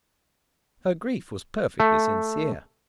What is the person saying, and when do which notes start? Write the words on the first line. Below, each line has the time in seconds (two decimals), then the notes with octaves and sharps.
Her grief was perfectly sincere.
1.80 A3